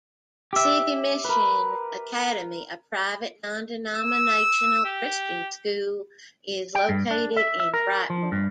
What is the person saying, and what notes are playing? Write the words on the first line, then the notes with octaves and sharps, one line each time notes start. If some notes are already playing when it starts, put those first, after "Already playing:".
City Mission Academy, a private non-denominational Christian school, is located in Brightmoor.
G4 E5
A#4 B4
E6
G4
G5
G2
D4
E5
E5
A#4
F3
G2